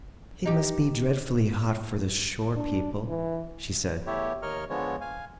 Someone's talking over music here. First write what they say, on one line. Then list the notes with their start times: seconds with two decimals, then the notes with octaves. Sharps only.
"It must be dreadfully hot for the shore people," she said.
0.46 D#4 G4
2.57 D4
3.08 E3
4.07 E2 A3 E4 G4 C#5
4.42 D#2 A#4 C#5 D#5 C#6 F6
4.70 D3 F3 G#3 B3 C#5
5.01 F5 G#5